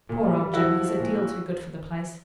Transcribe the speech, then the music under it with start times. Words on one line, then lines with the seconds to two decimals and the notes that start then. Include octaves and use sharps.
'Poor old Jim, he's a deal too good for the place.
0.09 A#2
0.24 G3
0.39 G3
0.53 F3 E4 F#4
0.69 F3
0.84 F3
0.99 A#2